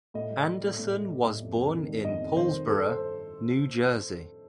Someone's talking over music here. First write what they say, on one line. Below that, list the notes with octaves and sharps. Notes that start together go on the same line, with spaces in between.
Anderson was born in Paulsboro, New Jersey.
A2 D#5
G3
G3
A2
A2
G3
G3
A2
F2
F2
D#3
G3
F2 D#5
F2
D#3 C5
G3
G2 A4
C5